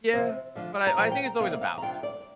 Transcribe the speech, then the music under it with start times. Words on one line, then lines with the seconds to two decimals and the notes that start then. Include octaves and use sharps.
Yeah. But I I think it's always a balance, really.
0.13 C3 F3 C4
0.55 D3 F3 D4 F4
0.87 A#5
0.98 A#2 F3 A#3 F4 G5
1.12 G5
1.26 A#5
1.40 F2 C3 A#3 F5
1.51 D5
1.61 F5
1.78 A#5
1.82 C3 G3 D4 F4 G5
2.03 D5